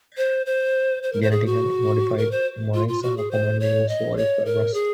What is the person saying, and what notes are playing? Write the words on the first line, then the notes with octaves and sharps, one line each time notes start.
Genetically modified mice are commonly used for this purpose.
C5
C5
C5
A#4
C5
G#4
F#4
A#4
C5
F4
F4
F#4
G#4
C5
C#5
D#5
C#5
A#4
G#4